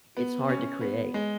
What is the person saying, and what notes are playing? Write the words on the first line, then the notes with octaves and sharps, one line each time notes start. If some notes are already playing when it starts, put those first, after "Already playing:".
it's hard to create,
B3
C#4
B3
G#3